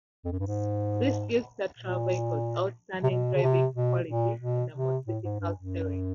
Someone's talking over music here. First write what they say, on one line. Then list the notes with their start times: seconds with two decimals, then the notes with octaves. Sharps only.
This gives Tatra vehicles outstanding driving qualities in the most difficult terrains.
0.25 F2
0.32 F#2
0.39 G2
0.47 G#2
1.78 A#2
3.03 C3
3.10 B2
3.35 C#3
3.43 C3
3.75 B2
4.08 A#2
4.41 B2
4.74 C3
5.07 A2
5.23 G#2
5.40 G2
5.57 F#2